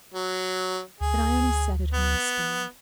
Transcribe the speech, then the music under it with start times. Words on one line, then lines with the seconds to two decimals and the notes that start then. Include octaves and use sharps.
But Ione sat at home spinning.
0.14 F#3
1.00 D2 G#4
1.93 B3